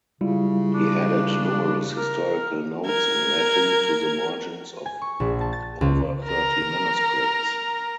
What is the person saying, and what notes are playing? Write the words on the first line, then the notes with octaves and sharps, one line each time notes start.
He added numerous historical notes in Latin to the margins of over thirty manuscripts.
C#3 G3 E4 F4
D4
A#4
A#4 G#6
G#5
C#6
A#1
A5
A6
C#2
A#4 A#5